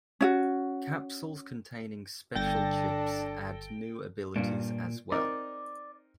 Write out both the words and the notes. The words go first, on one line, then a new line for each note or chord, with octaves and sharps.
Capsules containing special chips add new abilities as well.
C#4 E4 F#4
G1 D4 A4 G5 A6 A#6
G2 A#2 F4
C4 D#4 A#4 D5